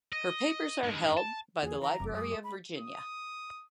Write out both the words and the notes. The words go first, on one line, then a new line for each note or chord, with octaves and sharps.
Her papers are held by the Library of Virginia.
D#5
G2 G#3
A5
E2 A#3 F4 F#4 G#4
E3 A#5 C6
F1 F#2 F#3 D6
G#3 D#6
G#3
B5
D#6